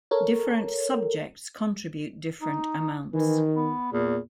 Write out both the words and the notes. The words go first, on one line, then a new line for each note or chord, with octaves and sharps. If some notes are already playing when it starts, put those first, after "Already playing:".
Different subjects contribute different amounts.
A4 A#4 C#5
D#4
D#3 E3
B3
E2 A#2